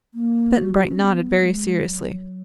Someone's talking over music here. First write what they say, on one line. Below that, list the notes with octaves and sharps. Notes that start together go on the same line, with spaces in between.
Button-Bright nodded, very seriously.
A#3
F#4
F#4
C#4
B3
G#3
F#3